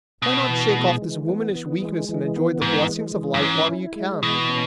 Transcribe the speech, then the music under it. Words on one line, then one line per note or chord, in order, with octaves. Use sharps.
Why not shake off this womanish weakness and enjoy the blessings of light while you can?
B2 B3
E3
G#3
E3
B3
E3
G#3
E3
B3
G#2 E3
G#3
E3
F#2
G#2 C#4
E4
G#3
B2 E3
C#4